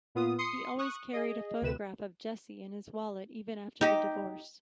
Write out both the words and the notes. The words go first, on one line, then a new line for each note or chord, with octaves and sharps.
He always carried a photograph of Jessie in his wallet even after the divorce.
A#2 B3 F4 D#6
C6 D#6 C7 C#7
C#6 D#6 F#6
G#4 D#5
D2 C3 B4 E7
D#4 G4